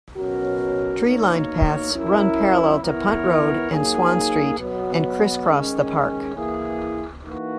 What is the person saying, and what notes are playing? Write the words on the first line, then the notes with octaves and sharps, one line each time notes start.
Tree-lined paths run parallel to Punt Road and Swan Street, and criss-cross the park.
B2 F#3 C#4 F#4 A#4
B2 A#3 D#4 A#4 C#5
F#3 C#4 E4 A#4
E3 B3 E4 A#4 C#5
F#3 A#3 D#4 G#4
B2 F#3 B3
D#3 G#3 C#4
E3 A#3 E4 G#4
E3 A#3 D#4 F#4 B4